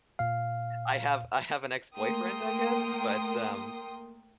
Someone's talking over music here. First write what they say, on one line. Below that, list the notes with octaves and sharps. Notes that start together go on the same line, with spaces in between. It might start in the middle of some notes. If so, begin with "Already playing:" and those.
I have I have an ex-boyfriend, I guess, but, um,
A#2 F5
A3 A#3 A#4 G5 C6 D#6